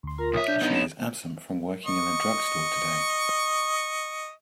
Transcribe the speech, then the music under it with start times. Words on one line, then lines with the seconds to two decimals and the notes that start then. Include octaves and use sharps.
She is absent from working in the drug store today.
0.03 D2 C6
0.18 F4 A#4 A#5
0.33 B1 C#5 E5 D#6
0.48 D4 G6
0.62 B3 D#4
0.75 E7
1.86 D#5 C#6